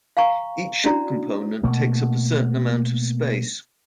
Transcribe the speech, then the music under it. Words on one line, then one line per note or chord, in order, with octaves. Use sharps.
Each ship component takes up a certain amount of space.
F5 G#5 A#5 C#6
C#4 D4 E4 F#4 D5 A#5
B2 A3 A#3